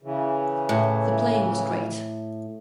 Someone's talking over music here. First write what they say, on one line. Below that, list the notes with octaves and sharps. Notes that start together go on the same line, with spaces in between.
The playing was great.
C#3 E3
A2